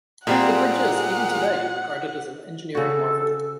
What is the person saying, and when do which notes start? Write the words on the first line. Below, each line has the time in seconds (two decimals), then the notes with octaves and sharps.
The bridge is, even today, regarded as an engineering marvel.
0.27 A#2 G3 C4 G4 G#4 A#4 F#5
2.75 C#3 F#4 A4